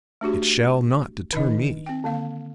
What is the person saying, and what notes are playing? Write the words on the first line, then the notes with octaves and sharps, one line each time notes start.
It shall not deter me.
A3 D4 F#4 G4
D#3 D4 D#4 D#5
C4 G5
D3 A#3 F5